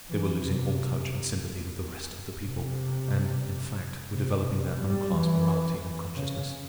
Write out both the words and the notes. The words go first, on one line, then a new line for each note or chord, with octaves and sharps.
They were losing all touch and sympathy with the rest of the people, and, in fact, were developing their own class morality and consciousness.
E3
C3
C3
C3
C3
G3
E3
C#3